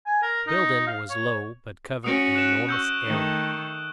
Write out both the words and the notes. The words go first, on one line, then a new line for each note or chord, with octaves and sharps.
The building was low, but covered an enormous area.
G#5
A#4
D#4
F5
C#5
C#4 F#4 D#6 D7
F#6 E7
C#6 E6 G6
D#3 A3